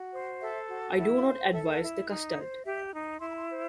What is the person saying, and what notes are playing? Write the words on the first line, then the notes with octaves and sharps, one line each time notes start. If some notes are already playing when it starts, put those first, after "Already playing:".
I do not advise the custard.
Already playing: F#4
C5
A4 E5
F#4
E4
C5
A4 E5
F#5
E4
D#4
C5
G4 E5
D#4
E4 C6
B5
C6
C5